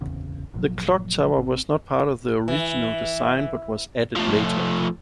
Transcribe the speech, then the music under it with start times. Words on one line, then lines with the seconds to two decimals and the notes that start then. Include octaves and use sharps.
The clock tower was not part of the original design, but was added later.
0.01 D1 G#1 E2 C#3
0.53 G1 A#2 F3 F#3
1.37 G#1 C4
2.48 E3
4.16 F3 A3